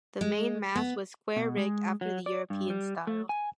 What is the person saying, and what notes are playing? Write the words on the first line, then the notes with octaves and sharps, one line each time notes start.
The mainmast was square-rigged after the European style.
G#3
B3
B2
G#3
F#3
D5
G2
G3
A3
G#5